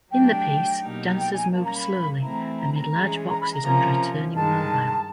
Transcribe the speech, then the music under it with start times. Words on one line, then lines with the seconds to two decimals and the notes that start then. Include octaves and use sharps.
In the piece, dancers moved slowly amid large boxes under a turning mobile.
0.11 F#3 A3 D4 G4 G5
0.81 B2 F#3 A#3 D#4 G4
1.17 G5
1.34 G#5
1.52 G3 A#3 C#4 A5
1.64 A#5
1.75 B5
2.22 E3 A3 C4 E4 A#5
2.57 A#5
2.75 A#5
2.93 E3 G#3 C#4
3.28 A#5
3.40 B5
3.52 A#5
3.63 C3 F3 A#3 C#4
4.34 G2 D#3 G#3 A5